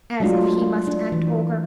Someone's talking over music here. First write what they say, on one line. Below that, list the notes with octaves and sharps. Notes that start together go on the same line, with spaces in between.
'As if he must act Ogre.
F#3 G#3 A3 D4 F4
D4
E3